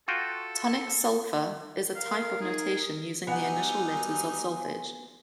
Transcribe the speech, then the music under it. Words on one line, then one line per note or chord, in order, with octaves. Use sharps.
Tonic sol-fa is a type of notation using the initial letters of solfege.
F4 F#4 A4 G5
A#4 F5
D#4 G#4
F#3 G3 B3 D#4 F#5 G#5